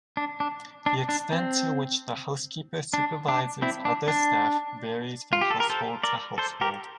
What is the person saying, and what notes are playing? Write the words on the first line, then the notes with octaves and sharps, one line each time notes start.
The extent to which the housekeeper supervises other staff varies from household to household.
D4
D4
D4
D4
C4
D4
D4
C4 E4
D4
D4
F4
G4
A4
A#4
A4 C5
A#4 D5
A4 C5
G4 A#4